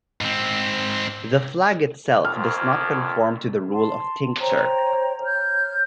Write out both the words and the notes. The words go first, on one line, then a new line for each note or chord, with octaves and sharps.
The flag itself does not conform to the rule of tincture.
G#2 C4
A#1 F2 F6
A5 C6
C5 C#5 G5 A#5
C#5 F6 G6